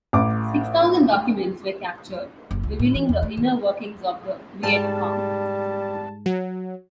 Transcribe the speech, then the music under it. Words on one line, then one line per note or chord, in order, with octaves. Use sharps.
Six thousand documents were captured, revealing the inner workings of the Viet Cong.
A1 D6
F#1
C#2
A2
E3
E2
A3
D#3
G#2 G3 A5
F#3